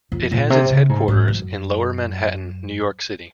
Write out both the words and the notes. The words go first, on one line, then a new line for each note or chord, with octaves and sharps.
It has its headquarters in Lower Manhattan, New York City.
F2
A#2
C3
C#3
G#2
G#2
F#2